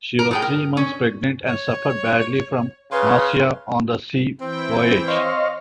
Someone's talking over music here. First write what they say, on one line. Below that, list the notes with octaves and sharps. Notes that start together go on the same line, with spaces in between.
She was three months pregnant and suffered badly from nausea on the sea voyage.
A#4
A2 G#4 G5
A#4
C#4
C#5
C#3 B4 C#5 F5 C6
E3 C4 E4 G5
C5 C#5 D#5 F5